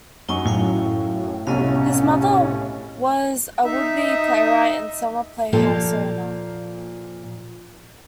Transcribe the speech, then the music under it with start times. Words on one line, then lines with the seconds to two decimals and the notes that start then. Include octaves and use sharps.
His mother was a would-be playwright and summer playhouse owner.
0.29 F#2 F#3 D#4 D#5 G#5 C#6
0.46 A2 E4 F5 G5
1.47 C2 B2 C#4 A4 D#5 F5
3.65 D#4 E5
3.96 D#5
5.53 A#2 F3 A#3 F4 G4 A4